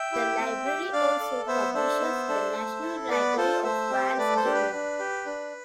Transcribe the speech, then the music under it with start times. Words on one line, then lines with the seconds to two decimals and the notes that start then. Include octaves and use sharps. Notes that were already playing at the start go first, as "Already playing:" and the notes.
The Library also publishes the "National Library of Wales Journal".
Already playing: E5 G5
0.12 E4 G4
0.39 C4
0.66 G4
0.93 D4 D5 F5
1.20 A4
1.47 B3 C5 E5
1.74 D4 A4 C5 E5
2.01 B3
2.28 D4 A4
2.56 A3
2.82 E4 A4
3.09 B3 B4 D5
3.37 F4 A4 C5
3.63 A3 C5 E5
3.90 C4 G4
4.17 A3 B4 D5
4.35 A4 C5
4.45 D4 G4
4.54 B4
4.72 D4
4.99 G4
5.26 D4